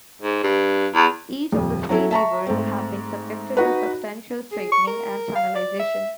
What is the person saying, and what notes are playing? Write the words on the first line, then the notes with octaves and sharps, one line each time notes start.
Each of the three rivers have been subjected to substantial straightening and channelization.
G#2
G2
E2
D#1 F2
F#3 C#4 E4 A4
E5 A5 A#5 C#6
G#2 A3 C4
D#4 F#4 B4
G#4
C#6
A#4
F5
D5
E5